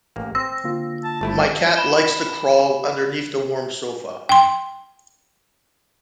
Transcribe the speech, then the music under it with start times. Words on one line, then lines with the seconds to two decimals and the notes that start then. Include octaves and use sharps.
My cat likes to crawl underneath the warm sofa.
0.16 A1 A#3
0.35 C4 C6 E6 A#6
0.64 D3 A#3 F4
1.04 A5
1.21 G1 A3 E4 A5
1.76 B5 E7 G7
4.29 G5 C6